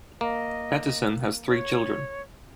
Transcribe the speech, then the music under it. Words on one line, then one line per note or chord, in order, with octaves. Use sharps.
Petterson has three children.
A#3 D#5
C#5